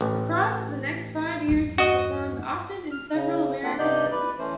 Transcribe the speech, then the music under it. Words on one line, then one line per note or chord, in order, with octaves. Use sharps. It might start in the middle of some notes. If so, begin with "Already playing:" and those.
Across the next five years he performed often in several American cities.
A1
E2 G2
F#4 D#5
F6
C#3
A#3 C4 F4 A4 F#5
G2 C3 D#4 D5 D#5 G6
B4 D5
E3 A3 C#4 C5